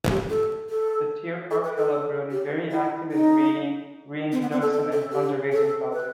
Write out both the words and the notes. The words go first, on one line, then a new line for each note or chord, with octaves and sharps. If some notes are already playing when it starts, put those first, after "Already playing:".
The Tierpark Hellabrunn is very active in breeding, reintroduction and conservation projects.
G4
A4
A4
A4
B4
A4
G4
E4
D#4
C4
B3
C4
A4
A4
A4
G4
A4
B4